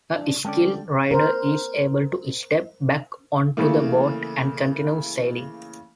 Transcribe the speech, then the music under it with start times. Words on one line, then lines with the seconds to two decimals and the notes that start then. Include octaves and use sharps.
A skilled rider is able to step back onto the board and continue sailing.
0.13 D4
0.45 D3 G#3 C#4 D5 G5 A5
1.11 A#4 C5
3.57 C#3 E3 A3 A#3